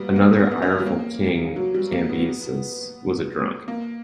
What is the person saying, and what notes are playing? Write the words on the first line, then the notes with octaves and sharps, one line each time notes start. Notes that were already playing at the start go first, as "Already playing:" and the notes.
Another ireful king, Cambises, was a drunk.
Already playing: G3 A#3 B3
A#3
B3
B3
C#4
G3
A#3
F#3
G3
A#3
B3
A#3